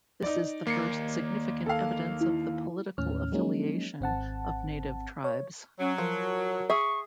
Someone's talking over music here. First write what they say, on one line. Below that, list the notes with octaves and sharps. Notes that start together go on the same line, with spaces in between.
This is the first significant evidence of the political affiliation of native tribes.
D#4 D5
D#2 A#3 C7 C#7
A4 F5
E4
D#2 A2 C#4 F6
F3 F#3 G#3 A#3 C#4 D#4
G#1 C4 F#5 A5
C#5
F#3 C#4
F3 A#4
G#4 E5 C#6